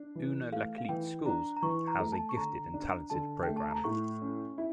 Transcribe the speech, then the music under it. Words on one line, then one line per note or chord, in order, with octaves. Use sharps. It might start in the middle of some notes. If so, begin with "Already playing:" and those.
Unalakleet schools has a Gifted and Talented program.
Already playing: D4
E3
A3 F5
F5
E3 G5
D4 A#5
A#5
E3 C#6
A#5
A3
A5
C#6
D3 A#5
D4
D3 A5
A3 G5
A5
A#5
A2 C#6
C#4
E4